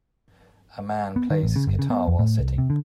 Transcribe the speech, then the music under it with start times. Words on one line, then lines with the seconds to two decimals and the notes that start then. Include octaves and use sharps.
A man plays his guitar while sitting.
1.16 B3
1.31 D#3
1.43 A1
1.56 C#3
1.67 G1
1.79 C#3
1.90 B3
2.08 F2
2.19 A2
2.39 C2
2.58 C3
2.70 D3